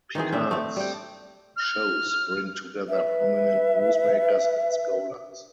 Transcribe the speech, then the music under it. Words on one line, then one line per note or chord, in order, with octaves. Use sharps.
Picard’s shows bring together prominent newsmakers and scholars.
D#3 E3 C4 G#4
C4 D4 E5
A3 C4
G3 G5
F6
B4 E5